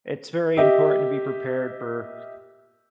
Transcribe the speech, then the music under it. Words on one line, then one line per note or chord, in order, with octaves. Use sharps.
it's very important to be prepared for,
G4 D#5 E5